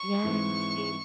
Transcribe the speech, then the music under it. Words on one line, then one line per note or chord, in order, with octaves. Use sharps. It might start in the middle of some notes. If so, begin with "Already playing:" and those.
Yes, see, uh,
Already playing: C#6
G#2 E3 G#3 C4